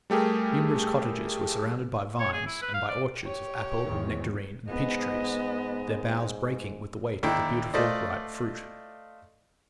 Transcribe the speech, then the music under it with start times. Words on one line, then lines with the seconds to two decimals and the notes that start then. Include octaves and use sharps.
Numerous cottages were surrounded by vines, and by orchards of apple, nectarine, and peach-trees--their boughs breaking with the weight of the beautiful ripe fruit.
0.10 G3 A3 G4 G#4 A#4
2.20 C#5
2.33 G#4
2.46 E4
2.62 B4
2.74 F5
2.89 D5
3.23 G4 C#5
3.82 E2 G#2 D#3
4.67 G#2 B3 D#5
7.23 D#2 D3 E4 G5
7.74 A3 F4 C5 D5 D#5